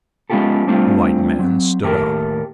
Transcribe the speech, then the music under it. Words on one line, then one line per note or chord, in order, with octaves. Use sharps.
The white man stood up.
G#3 B3 C#4 F4 G4 A4
G3 A3 C4 D4 F4
F#3 C4
D#2 A2 G4 A4 A#4 G5